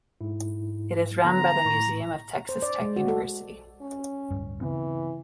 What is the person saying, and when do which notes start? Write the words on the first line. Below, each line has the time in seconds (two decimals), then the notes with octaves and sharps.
It is run by the Museum of Texas Tech University.
0.21 G#2 E4
1.24 D3 B3 A#5 C6
1.65 A2 C#6
2.49 C5
2.62 D5
2.81 G#3
2.96 F#4
3.08 A4
3.81 C#4
4.31 D1 G2
4.61 C#3 E3 B3 C4